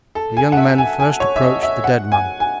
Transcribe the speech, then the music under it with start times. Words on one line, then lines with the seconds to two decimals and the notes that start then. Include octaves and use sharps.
The young men first approached the dead man.
0.15 A4
0.37 G#5
0.52 F#5
0.57 E5
0.78 G#5
1.00 G#5
1.20 C#5
1.36 E5
1.42 D#5
1.63 E5
1.84 F#5
2.12 G#5
2.40 G#5